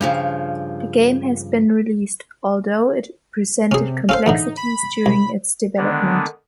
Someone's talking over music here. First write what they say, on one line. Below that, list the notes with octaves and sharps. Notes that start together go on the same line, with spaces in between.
The game has been released, although it presented complexities during its development.
G2 C#3 F3
C3 C#4 G#4
C#4 A4 C5 F5
E2 A2 D3 D#4
B5
C2
D3 D#3 G#3 B3 D4